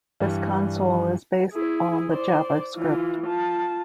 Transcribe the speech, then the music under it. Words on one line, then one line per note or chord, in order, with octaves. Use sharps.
This console is based on the JavaScript.
G2 E3 G3
E4 G#4
C5 D5
E3 F4
F4 A5